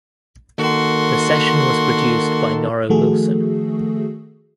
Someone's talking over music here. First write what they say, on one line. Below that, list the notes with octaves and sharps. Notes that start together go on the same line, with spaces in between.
The session was produced by Norro Wilson.
D#3 A#3 F#4 A4 C6
D#3 F3 A3 F#4 G#4 A4